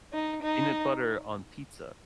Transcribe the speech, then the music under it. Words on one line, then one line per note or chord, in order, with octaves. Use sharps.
Peanut butter on pizza?
D#4
D#4